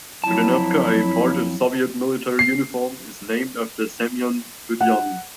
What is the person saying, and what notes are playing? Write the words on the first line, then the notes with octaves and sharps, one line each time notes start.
Budenovka, a part of Soviet military uniform, is named after Semyon Budyonny.
F2 F#3 E4 A5
C7
F#5